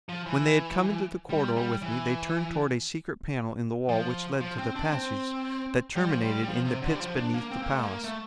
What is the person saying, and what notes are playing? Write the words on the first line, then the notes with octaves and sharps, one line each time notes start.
When they had come into the corridor with me, they turned toward a secret panel in the wall which led to the passage that terminated in the pits beneath the palace.
F3
E3
G3
G3
E3
F3
F3
C4
D4
C4
G3
F3
G3
G3
F3
C3
D3
G3
F3
D4
A#3
C4
A#3
A3
A#3
A3